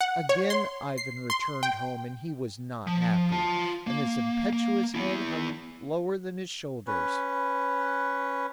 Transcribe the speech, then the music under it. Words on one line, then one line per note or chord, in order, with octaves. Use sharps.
Again Ivan returned home and he was not happy, and his impetuous head hung lower than his shoulders.
F#5
C#5
C6
C7
C6
G5
F3
F4 A5
A#3
A#3
B3 E4
C#4 B4